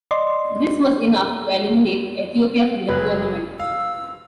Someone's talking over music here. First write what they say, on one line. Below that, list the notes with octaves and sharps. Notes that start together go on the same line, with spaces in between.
This was enough to eliminate Ethiopia from the tournament.
D5 D#5 C6
F#1 F#3 G#4 B4
F5 E6